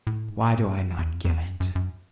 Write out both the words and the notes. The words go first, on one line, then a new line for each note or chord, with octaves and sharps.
Why do I not give it?
A2
G#2
G2
F#2
E2
F2
F2
E2
F#2
F#2
F#2